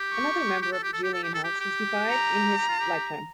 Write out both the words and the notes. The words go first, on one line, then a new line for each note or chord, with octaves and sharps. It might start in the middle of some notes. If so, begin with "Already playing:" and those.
Another member of the Julian house was deified in his lifetime.
Already playing: G4
C#6
G4
A4
G4
A4
G4
A4
G4
A4
G4
G4
A#5
G4
F4
G4